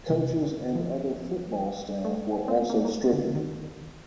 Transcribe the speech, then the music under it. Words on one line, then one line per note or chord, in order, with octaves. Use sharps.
Coaches and other football staff were also stricken.
C3
D3
F3
A3
C4
A#3
A#3
A3
D3
D#3